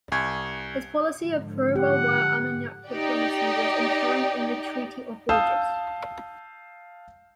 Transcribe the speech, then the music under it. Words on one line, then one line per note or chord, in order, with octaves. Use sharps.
His policy of pro-Valois Armagnac diplomacy was enshrined in the Treaty of Bourges.
C2 G#5 C#6 G#6
G#2 D3 F3
G4 F#5
D#4 G4 D5
F5 A5 D#6 E6 G6 E7